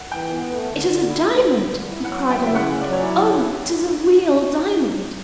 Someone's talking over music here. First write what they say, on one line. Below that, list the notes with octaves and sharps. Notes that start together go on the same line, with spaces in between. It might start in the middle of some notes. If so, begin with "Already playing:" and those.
"It is a diamond!" he cried aloud; "oh, it is a real diamond!"
Already playing: F#5
E3 G5
B3
A3
D3
D3
E4
A3
D3
D3
E4
F#3 F#5
E4
G5
C#3 E5
F#5
C#4
F#3 D5
C#5
E4 D5